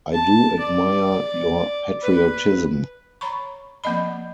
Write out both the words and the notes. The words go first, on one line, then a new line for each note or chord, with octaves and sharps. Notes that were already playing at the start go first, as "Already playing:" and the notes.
I do admire your patriotism.
A5
D5
B4
C#5 A#5 B5 C#6
F3 A#3 C4 D#5 B5